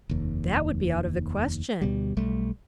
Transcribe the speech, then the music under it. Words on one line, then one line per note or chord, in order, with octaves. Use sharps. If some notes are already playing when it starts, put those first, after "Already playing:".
"That would be out of the question."
F1 D#2
D2 B2 G3
B1 G3 A3